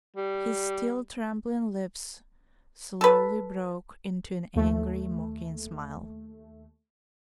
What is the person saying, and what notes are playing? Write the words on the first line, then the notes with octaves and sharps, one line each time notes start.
His still trembling lips slowly broke into an angry mocking smile.
G3
A4 B4
D#2 A3